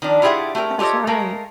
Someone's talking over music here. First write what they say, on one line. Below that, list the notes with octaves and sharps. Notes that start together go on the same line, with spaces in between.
That's right.
D#3 F3 D4
E4 F4 G4 G#4 E5 F#5
A3 G4 G#4 A#4
F4 G4 A4 C#5 D#5
G#3 A3 A#4 F5